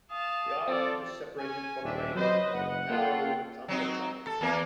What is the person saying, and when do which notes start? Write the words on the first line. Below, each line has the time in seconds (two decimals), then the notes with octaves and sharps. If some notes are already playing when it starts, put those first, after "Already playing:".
The island is separated from the mainland by the narrow "Mkanda" channel.
0.11 F5 A5 D#6
0.68 C4 F4 A4 D5
1.37 C#4 G#5
1.83 D#1 C4 D4 E5
2.14 F#3 B4 C5 D#5
2.53 F#1 F#5
2.89 A#3 F4 A4 G5
3.68 F#3 C4 D#4
4.27 A4
4.41 E2 A#3 A#4